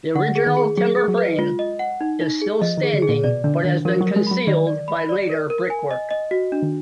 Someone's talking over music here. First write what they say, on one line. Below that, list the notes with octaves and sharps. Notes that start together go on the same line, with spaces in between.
The original timber frame is still standing but has been concealed by later brickwork.
D3 F#5
G#4
D#3
G#4
F#3 G#4
G#4
F#3
B4
G#3 F4
D#5
F#5
D#4
D#4
G#4
F3 D#5
D#3
G#4
D3
G#4
A#2
B2 D5
D3 D4
D#3 D4
F3 A#4
F#3 A#4
G#3
F#3 B5
D#3 D5
D5
B5
D5
A#4
A#4
G#5
D#5
D#5
F#4
D4
D#3